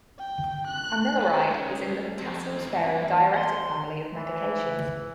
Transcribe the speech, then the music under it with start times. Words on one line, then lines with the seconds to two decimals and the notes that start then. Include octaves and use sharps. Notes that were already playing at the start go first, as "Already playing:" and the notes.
Amiloride is in the potassium-sparing diuretic family of medications.
0.19 G5
0.67 F#6
1.21 B4 C5
1.50 G#3 C#4
2.18 F3 C4
2.56 E3 C4
3.34 F#5 C6
4.12 E3